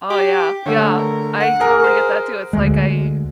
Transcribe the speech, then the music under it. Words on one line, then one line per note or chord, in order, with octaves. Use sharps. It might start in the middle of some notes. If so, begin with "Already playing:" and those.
Oh, yeah, yeah, I totally get that, too, it's like, I
G4
D3 A3 C#5
A#4
F#5
G#4 A#4
C5
D2 G#3